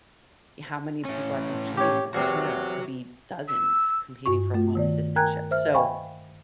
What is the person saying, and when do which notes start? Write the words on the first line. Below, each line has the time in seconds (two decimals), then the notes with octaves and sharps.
y how many people are competing for them, who knows? Could be dozens competing for one assistantship. So
1.05 A2 C#4
1.77 G4 C#5
2.15 E2 C3 F#4 C#5
3.48 E6
4.26 G2 F#4 C#6
4.54 A3 F4
4.75 D#3 B3 D5
5.16 A#4 G5 G#5 A#5 F#6 G#6
5.51 C5 E5 F6
5.74 D#5 F5 G5 G#5 B5 C#6